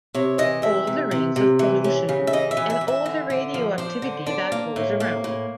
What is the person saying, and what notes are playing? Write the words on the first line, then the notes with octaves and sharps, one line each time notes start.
All the rings of pollution, and all the radioactivity that goes around.
C3 C#5
E3 D#5
C3 E5
C3
C3
C3
E3
C#4
C#3
E5
E3 D#5
E5
E3
E5
E3
E5
D3
D3
F3
D4 C5
D3
D4
A#3
A2
A#3
A2